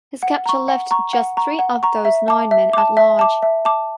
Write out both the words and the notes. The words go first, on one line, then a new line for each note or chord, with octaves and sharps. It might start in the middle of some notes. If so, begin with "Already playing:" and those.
His capture left just three of those nine men at large.
F#5
A#5 C#6
F#5
A#5 C#6
F#5
A#5 C#6
F#5
A#5 C#6
E5
A5 D6
E5
A5 D6
E5
A5 D6
E5
A5 D6